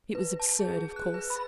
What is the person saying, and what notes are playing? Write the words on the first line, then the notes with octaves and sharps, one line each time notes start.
It was absurd, of course.
B4
A5
G#4
F#6
B4
B5